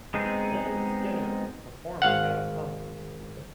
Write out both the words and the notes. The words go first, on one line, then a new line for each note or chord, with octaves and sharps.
Lynyrd Skynyrd is performing at a concert.
G#3 B3 C4 D#4 G#4
G#1 F5 F#5